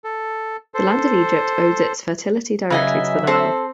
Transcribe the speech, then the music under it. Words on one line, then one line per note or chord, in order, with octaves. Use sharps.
The land of Egypt owed its fertility directly to the Nile.
A4
A4 C5
C#3 F#3 B4 D#5 E5 G#5
C4 A4 C5